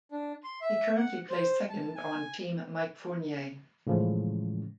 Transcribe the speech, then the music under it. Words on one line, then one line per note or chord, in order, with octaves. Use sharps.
He currently plays second on Team Mike Fournier.
D4
C6
E5
F#5
C5
A5
G#5
A2 C#3 E3 F3 G#3 C#4